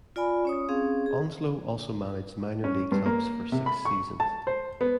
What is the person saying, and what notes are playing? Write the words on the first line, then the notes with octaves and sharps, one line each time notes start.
Onslow also managed minor league clubs for six seasons.
F4 D5 G#5 B5
C#4 C#5 D#6
C4 C#4 G#4 F5
G#4
C#4
G2
A#3
C3
B5
C#6
A5
C5
B3